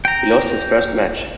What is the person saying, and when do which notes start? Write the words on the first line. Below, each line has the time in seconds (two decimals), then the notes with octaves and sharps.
He lost his first match.
0.05 G5 A#5